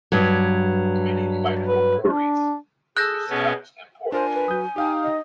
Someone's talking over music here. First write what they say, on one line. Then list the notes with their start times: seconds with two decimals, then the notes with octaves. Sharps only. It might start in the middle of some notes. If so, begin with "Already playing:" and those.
Many microbreweries brew stouts and porters.
0.12 G2 F#3
1.67 B4
2.06 D4
2.97 G#4 A4 E6 F#6 G6 A#6
3.30 B2 B3 C#4 G#4
4.12 D4 F4 A#4 C5 G#5
4.34 B4
4.48 F#3 D#6 G6
4.76 D#4 G4 F5 G5 D#6
5.03 D#5